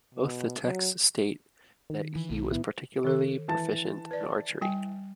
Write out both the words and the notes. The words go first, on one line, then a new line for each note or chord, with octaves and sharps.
Both the texts state that he was particularly proficient in archery.
B2
F#3
D#3
E3
B1
A2 B3 E4
D#3 A4
E3 A5 A6
B4 D5
G3 G5 G#5